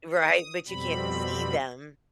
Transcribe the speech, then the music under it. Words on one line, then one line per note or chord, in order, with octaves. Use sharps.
Right, but you can't see them.
D#6
F2 B2 G3 C4 B5